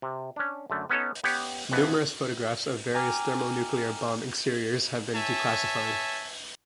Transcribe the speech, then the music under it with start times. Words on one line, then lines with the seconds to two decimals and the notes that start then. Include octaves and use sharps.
Numerous photographs of various thermonuclear bomb exteriors have been declassified.
0.02 C3
0.36 C#4 D4
0.70 F#2 D3 A3
0.90 B3 C#4 D#4 A4 C#5
1.24 B3 G4 C#5
1.72 F2 B2 E3 B3
2.94 G5 G#5 A#5 D6 F6
5.14 C#5 E5 G#5 A5